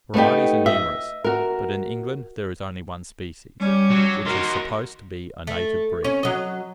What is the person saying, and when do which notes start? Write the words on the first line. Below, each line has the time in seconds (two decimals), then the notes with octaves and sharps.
Its varieties are numerous; but in England there is only one species, which is supposed to be a native breed.
0.14 A3 B3 D#4 G4
0.66 D#5 E5
1.24 F#4 A#4
3.60 G3 C#4 G4
3.91 F#3
4.26 D#3 A#3 F#4 A#4 C6
5.47 A3
6.04 C#4
6.23 F#3 D#5